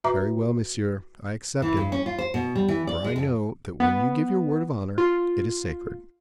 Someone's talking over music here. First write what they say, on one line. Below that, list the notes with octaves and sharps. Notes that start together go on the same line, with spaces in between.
"Very well, monsieur, I accept it; for I know that when you give your word of honor, it is sacred."
F#4 B4 E5 A#5 D6
E3
G2
C#4
F4
C5
B2
G3
E3
D5
G#3
F2
B3
F4